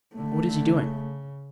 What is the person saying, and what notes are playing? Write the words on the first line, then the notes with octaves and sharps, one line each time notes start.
"What is he doing?"
D3 A3
D3
C#3